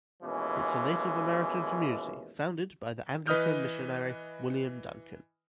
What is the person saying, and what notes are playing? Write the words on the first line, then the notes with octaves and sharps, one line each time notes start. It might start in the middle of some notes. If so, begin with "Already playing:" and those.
It’s a native American community founded by the Anglican missionary William Duncan.
D#2 B2 E3 G#3 C#4
E3 B4 D#5 D#6 F6 G6